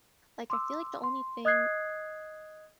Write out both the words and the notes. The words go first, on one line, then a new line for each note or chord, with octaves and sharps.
Like I feel like the only thing
C6 D6 E6
C6
D#5 D#6 F#6 G#6 C7